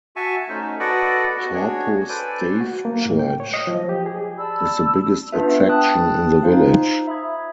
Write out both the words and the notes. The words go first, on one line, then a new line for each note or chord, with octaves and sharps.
Torpo stave church is the biggest attraction in the village.
F#4 E5 G#5 A5 C#6
A3 C#4 D#4 C5
F#4 A4 B4 D5 D#5 F#5
B3 F#4
D4 F#4 G#4 C#5
A4 B4 C5 D5 G#5
F#4
A#3
A2
G5
C#5
D#5
F3
G4
G#4
D5 A5 B5 E6
B3 D4 F4 B4 E5
G5 A5 D#6 F#6
D#4 F4 C5 F5
E5 B5 D#6 G#6